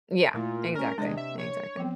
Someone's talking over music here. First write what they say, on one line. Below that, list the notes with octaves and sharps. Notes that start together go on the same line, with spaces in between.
Yeah. Exactly, exactly.
A#2 A3 E4 F4
C#4 A#4
C3 G#3 D4 D5 D#5
E5
C#5
F3 B3 C4